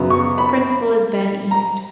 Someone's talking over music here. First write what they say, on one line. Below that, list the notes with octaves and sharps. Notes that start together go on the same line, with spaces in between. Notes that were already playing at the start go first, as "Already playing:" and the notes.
The principal is Ben East.
Already playing: F#2 C#3 F#3 B3
C#6
B5
A#5